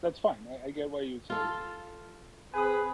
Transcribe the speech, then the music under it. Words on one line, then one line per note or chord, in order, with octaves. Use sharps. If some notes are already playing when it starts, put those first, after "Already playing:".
that's fine, I I get why you'd say,
F4 A4
C4 G#4 B4 G#5 D#6